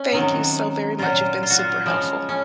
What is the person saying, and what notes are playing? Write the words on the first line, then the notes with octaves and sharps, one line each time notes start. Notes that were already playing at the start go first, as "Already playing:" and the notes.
thank you so very much, you've been super helpful.
Already playing: C#4
C3 D#3 F#3
A#2 F#3 F4
F4
F#4
F4
C#3 F3 G#3
C#4